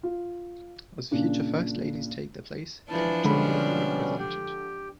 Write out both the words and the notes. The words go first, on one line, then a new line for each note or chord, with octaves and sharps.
As future First Ladies take their place, they, too, will be represented.
F4
A#2 C#3 D4
E3 F3 D4 E4 A5
B2 D3 G3 G#3 C#4 B5
G4 G5